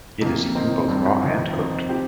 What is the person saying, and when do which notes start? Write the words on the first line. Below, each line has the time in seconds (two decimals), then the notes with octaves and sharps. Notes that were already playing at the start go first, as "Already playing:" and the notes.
It is eaten both raw and cooked.
0.21 F2 C3 F3 A#3
0.55 D#3 C4 D#4 A#4
0.88 G2 G3 C4
1.22 F2 C3 D#3
1.56 F3 C4 D#4
1.89 F3 C4 G4